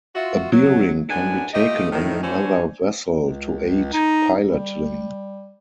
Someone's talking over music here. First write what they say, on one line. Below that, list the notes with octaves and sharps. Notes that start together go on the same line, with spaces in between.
A bearing can be taken on another vessel to aid piloting.
F4 F#4 E5
F#3
F#2 A2 B3 D4 G#5
A3 F4 G4 D#5
A2 D#3
E3 D4 F#4 C5 C#5 G#5
C#2
D#4
G3